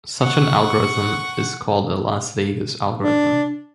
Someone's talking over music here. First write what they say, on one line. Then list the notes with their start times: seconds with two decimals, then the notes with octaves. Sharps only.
Such an algorithm is called a Las Vegas algorithm.
0.22 F#5 C#6
2.97 D4